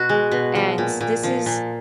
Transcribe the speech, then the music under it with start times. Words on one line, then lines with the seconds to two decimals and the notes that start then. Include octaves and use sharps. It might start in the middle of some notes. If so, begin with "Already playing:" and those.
And this is
Already playing: B2 F#4
0.09 G#3
0.31 B2
0.55 F3
0.78 A#2
1.01 A#2
1.23 F3
1.46 A#2